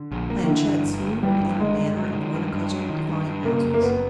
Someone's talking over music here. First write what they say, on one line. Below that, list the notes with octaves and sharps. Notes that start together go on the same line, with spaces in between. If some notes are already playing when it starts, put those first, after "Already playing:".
Planchet saluted in the manner of one accustomed to fine houses.
Already playing: D3
A#1
A#3
D#3
D3 E3
G2
G1
G1
E3 G3
G2
G1 G#3
G1
F#3
D#3
G2
G2
F#3
D#3
G2
G2
C#3 A#3
F#2
A#3
F#1 B3